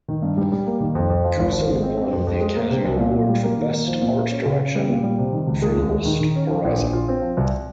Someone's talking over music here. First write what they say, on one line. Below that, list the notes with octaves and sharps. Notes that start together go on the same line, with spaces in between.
Goosson won the Academy Award for Best Art Direction for "Lost Horizon".
D#3
G2
G3
G3
A#3
D#3
F2
F2
F3
G#1
F3
G#1
C4
C4
F2
F2
G#3
A#3
C3
C2
A#2
A#2
G3
A#3
D#3
A#3
F3
A#2
A#3
C#4
C#3
C#3
G3
A#2
G3
C3
D#3
C#2
G#3
D#2
G#3
D#3
D#3
C#4
F3
A#1
A#1
F4
C4
F3
C2